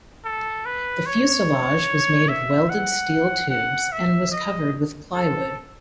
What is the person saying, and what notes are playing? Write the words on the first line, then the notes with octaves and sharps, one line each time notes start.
The fuselage was made of welded steel tubes and was covered with plywood.
A4
B4
C#5
E5
F#5
F#5
E5
D#5
A4